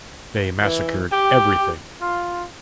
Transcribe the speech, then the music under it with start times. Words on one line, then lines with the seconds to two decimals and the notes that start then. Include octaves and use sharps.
They massacred everything.
0.62 E3
1.13 G4
2.02 F4